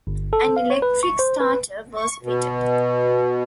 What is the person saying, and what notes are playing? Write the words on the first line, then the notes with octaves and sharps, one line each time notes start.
An electric starter was fitted.
G1
A4
F5
C#5
B4
C#6
C5
B4
C#6
B2